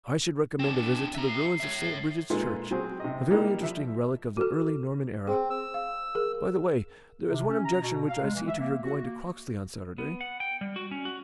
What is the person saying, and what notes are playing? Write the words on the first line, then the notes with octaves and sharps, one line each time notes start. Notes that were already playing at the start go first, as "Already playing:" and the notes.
I should recommend a visit to the ruins of St. Bridget's Church, a very interesting relic of the early Norman era. By the way, there is one objection which I see to your going to Croxley on Saturday.
C4 D4 E7
E5 A#5
C7
C#5 E5
A#2 G#3 F4 A4 B4
F#3 C4 G#4
C3 D#5
G3 A#3 D#4 E4 G4
F3 E5
F#4 A4
C4 G#4
E6
F5
G#4 A#4
C3
C#4
A#5
B2
F5
G#3
E3
E5
A#3
F#4
A#3
B3
F#5
G5
G3
F#4
C#4
F#4